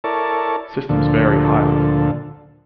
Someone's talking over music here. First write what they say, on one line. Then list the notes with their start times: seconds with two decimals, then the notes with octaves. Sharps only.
Systems vary highly.
0.04 E4 A4 A#4 C#5 D5 A5
0.89 D2 A#2 D3 F3 A4